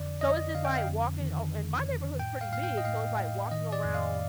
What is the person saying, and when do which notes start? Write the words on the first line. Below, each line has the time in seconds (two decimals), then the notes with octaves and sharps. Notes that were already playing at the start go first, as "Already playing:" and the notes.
So it's just like walking oh, and my neighborhood is pretty big, so it's like walking around
Already playing: F2 D3 D5
0.21 F2 D#5
0.55 D3 F5
0.65 G5
0.75 F5
0.87 F2
1.21 D#3
1.53 D#3
1.86 F2
2.19 A2 G5
2.41 F5
2.52 A2 F5
2.63 G5
2.78 D#5
2.85 A2 F5
3.18 A2
3.51 D#3 D#5
3.72 D5
3.84 F2
3.94 F5